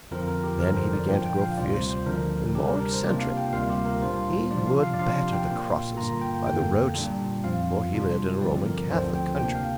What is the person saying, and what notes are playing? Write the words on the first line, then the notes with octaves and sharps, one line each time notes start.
Then he began to grow fiercer and more eccentric; he would batter the crosses by the roadside; for he lived in a Roman Catholic country.
F2 D3 F3 C4 F4 A#4
A#4
G4
F2 D3 F3 C4 A#4
C5
D5
A#2 F3 D4 F4 G5
G5
F5
D2 C3 G3 C4 F4 D5
C5
C5
D2 D3 F3 D4 A#4
C3 G3 D4 G4
A#4
A#4
C5
C3 A#3 D4 F4 D5
F5
G5
D2 C3 G3 A#3 F4 F5
G4
A#4
A#2 G3 D4 F4 C5
C3 F3 D4 F4 D5
F5
F5
D5
C3 F3 D4 F4 F5
D5
G5
A#2 A#3 F4
G2 D3 A#3 F4 A#5
G5
F2 D3 A#3 G5
A#2 G3 D4
F2 F3 C4 F4 F5
C3 G3 D4 F4
G2 D3 F3 C4 D5
A#4
D2 D3 F3 C4 F4 C5
G5
C3 A#3 D4 G5
F5